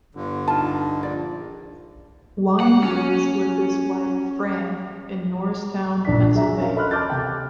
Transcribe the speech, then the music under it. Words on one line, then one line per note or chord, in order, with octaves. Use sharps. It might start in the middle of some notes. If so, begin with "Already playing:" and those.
Wine lives with his wife, Fran, in Norristown, Pennsylvania.
G1 G2 D3
D#4 F4 A5
A#1 D5
F#5
C#4
A#1 D4 D5 B6
G#4 E5 A#5
C#4 A#4 F5
A4 D#5 B5 C6 F6 F#6
A5 B5 D6 F6 G6 A6
C3 G5